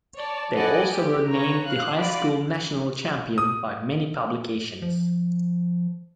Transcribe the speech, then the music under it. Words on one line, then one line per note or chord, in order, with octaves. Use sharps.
They also were named the High School National Champion by many publications.
C#5 D5 A5
A4 B4 D5 D#5 F#5 G#5
G4
C#4 B4 C#5 A#5
F5 F#6
F4 F#4 D5 B5
D#6
F3